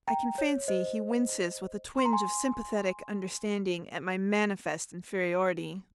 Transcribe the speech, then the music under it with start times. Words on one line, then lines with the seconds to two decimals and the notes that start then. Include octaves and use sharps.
I can fancy he winces with a twinge of sympathetic understanding at my manifest inferiority.
0.08 G5 A#5
0.38 C#5
0.68 C5 D#5
1.98 C6
2.05 A#5
2.13 G#5 C6